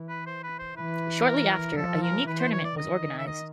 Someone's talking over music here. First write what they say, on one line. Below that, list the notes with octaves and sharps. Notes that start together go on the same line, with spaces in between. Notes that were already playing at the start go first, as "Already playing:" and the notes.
Shortly after, a unique tournament was organized.
Already playing: E3
B4
C5
B4
C5
E3 B4
A#4
F3 A4
A#4
E3 B4
C5
C#5
D5
D#3 D#5
E5
D#5